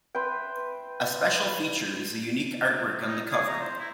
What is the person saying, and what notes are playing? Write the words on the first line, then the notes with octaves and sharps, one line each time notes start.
A special feature is the unique artwork on the cover.
B4 C5 E5 G5
D#4
G#4
A#5
C5
E4